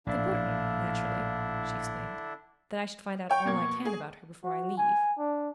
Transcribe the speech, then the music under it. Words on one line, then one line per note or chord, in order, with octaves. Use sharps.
"It's important, naturally," she explained, "that I should find out all I can about her before I leave."
A#1 A2 D3 D4 E4 F5
C#5 G5 C#6
B2 A#3 G#6
G#4
F#4
G#5
D4